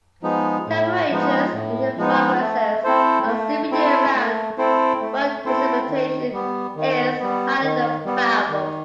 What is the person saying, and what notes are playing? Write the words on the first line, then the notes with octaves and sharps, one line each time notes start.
Temperatures in the Marquesas are stable year around, but precipitation is highly variable.
F3 G#3 B3 D#4
A2
F3 G#3 B3 D#4
A2
F3 G#3 B3 D#4
A3
C4 E4 A4 C5
A3
C4 E4 A4 C5
A3
C4 E4 A4 C5
A3
C4 E4 A4 C5
D#3
G3 B3
D#3
G3 B3
D#3
G3 B3
D#3